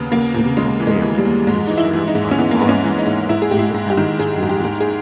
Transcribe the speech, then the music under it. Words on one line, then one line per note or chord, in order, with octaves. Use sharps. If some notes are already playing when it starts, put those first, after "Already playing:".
The City of Bailey is served by the Bonham Independent School District.
Already playing: D#2 C#3 B3
C#3 A#3
D#2
C#3 G#3
E3
G#3
E3
G3
D#2
G#2 G#3
E3 D#4
E4
E3
D#4
G#2
C#4
E3 B3
A#3
G#2 B3
C#4
E3
D#4
G#2
G#2 E4
G#4
G#2 G4
E4
G#2
G4
D#3
G#2 G#4
G#2
G4
G#2
G#4